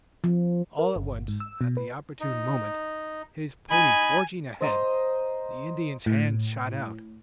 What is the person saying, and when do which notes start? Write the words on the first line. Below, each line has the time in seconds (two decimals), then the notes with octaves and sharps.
All at once, at the opportune moment, his pony forging ahead, the Indian's hand shot out.
0.24 F3
0.79 A#4
0.96 G1
1.28 G#2
1.40 E6
1.61 B2
1.77 B4
2.20 D#4
3.70 D#4 G#5 B5
4.61 C5 D#5 A#5 C6
6.06 A2